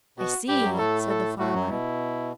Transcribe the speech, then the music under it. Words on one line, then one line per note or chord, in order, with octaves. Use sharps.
"I see," said the farmer.
B2 B3 F#4
G2 G3 G4
F#2 F#3
G3
A2 A3 A4
A4
A2 A3 F#4
F#2 F#3
B2 E4